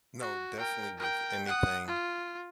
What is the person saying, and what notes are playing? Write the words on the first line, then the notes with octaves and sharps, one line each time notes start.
No, definitely with anything,
F#4
A#4 G5
A#4 G5
F#5 D#6
F4